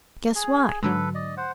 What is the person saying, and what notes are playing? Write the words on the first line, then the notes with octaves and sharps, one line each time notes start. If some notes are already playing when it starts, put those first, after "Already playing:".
Guess why?
G#4
G#2 D3 F#3 A4 B4
D5 D#5
C5 F#5